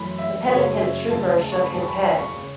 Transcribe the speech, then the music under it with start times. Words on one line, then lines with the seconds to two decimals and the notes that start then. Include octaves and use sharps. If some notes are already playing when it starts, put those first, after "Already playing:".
The penitent trooper shook his head.
Already playing: F#2 E3 A3 B5
0.18 E5
0.49 F#1 F#2 C#3 F#3 A3 C#5
0.81 E5
1.10 E1 E2 C#3 A3 A5
1.41 A5
1.52 C#6
1.62 B5
1.73 E1 E2 B2 B3 A5
1.82 C#6
1.88 B5
2.03 B5
2.19 C#6
2.36 C#3